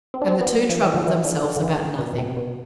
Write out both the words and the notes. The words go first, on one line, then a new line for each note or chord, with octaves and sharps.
And the two troubled themselves about nothing.
C4
D4
C4
B3
F3
E3
D3
E3
D3
D3
D3
E3
B2
B2
C3
B2